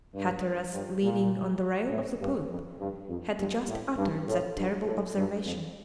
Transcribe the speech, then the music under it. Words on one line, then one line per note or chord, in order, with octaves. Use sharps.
Hatteras, leaning on the rail of the poop, had just uttered that terrible observation.
G2
G2
A#2
A2
G2
F2
G2
F2
G2
A2
G2
A2
G2
A2
G2
F2